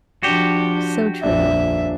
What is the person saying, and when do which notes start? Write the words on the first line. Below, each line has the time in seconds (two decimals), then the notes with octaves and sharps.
So true.
0.23 F3 D4 F#4 G4
1.23 D#1 A#1 F2 D4 E5